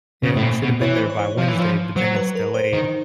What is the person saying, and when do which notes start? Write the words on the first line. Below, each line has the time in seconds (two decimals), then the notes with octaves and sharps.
it should have been there by Wednesday, but then it's delayed,
0.23 C#3 C5
0.36 A2
0.43 A#2
0.62 B2
0.81 E3 C#5
0.95 C5
1.10 C#5
1.19 C5
1.25 C#5
1.39 F3
1.48 E3
1.59 F3
1.96 F#3 C5
2.16 B4
2.35 A#4
2.54 C5
2.73 D#3